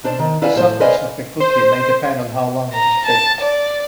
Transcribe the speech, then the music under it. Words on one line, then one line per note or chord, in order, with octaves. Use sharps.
The softness of the cookie may depend on how long it is baked.
B2 D4 C5 A5
D#3
E4 B4 D5 F5 F#5 G#5
A2 C5
B4 C5 D5 D#5 F5 G#5
C5
A#5
A5
D5